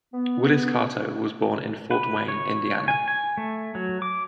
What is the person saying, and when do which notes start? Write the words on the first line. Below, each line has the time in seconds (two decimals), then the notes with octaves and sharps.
Willis Carto was born in Fort Wayne, Indiana.
0.14 B3
1.91 B4
2.28 C#5
2.88 G#5
3.08 G#5
3.37 A3
3.75 F#3
4.02 D6